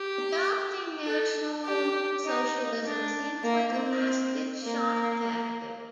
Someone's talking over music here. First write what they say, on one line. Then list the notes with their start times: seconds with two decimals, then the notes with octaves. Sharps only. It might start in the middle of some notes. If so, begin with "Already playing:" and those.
Adopting National-Socialism seems like a last ditch shock tactic.
Already playing: G4
1.06 A4
1.65 G4
2.24 D#4
2.85 D4
3.44 A#3
3.74 C4
4.63 A#3